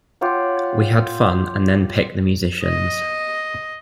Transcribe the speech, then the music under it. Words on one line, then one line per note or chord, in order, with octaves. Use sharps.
We had fun and then picked the musicians.
F4 G4 C#5 F#5
D#5